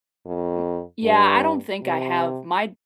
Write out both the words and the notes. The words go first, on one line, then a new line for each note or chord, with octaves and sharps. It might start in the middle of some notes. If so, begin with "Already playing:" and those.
m Yeah, I don't think I have. My
F2
G2
C3